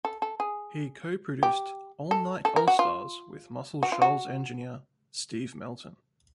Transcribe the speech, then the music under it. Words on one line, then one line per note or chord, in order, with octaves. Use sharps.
He co-produced "Allnight Allstars" with Muscle Shoals engineer Steve Melton.
A4
A4
G#4
G4
A4
A4
A#4
F#4
F4
F#4
F4
F#4